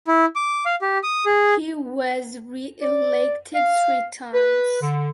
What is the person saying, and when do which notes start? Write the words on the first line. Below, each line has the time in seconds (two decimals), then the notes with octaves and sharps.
He was reelected three times.
0.07 E4
0.36 D6
0.65 F5
0.81 G4
1.03 D#6
1.26 G#4
2.82 D5
3.54 F5
4.33 B4
4.80 D3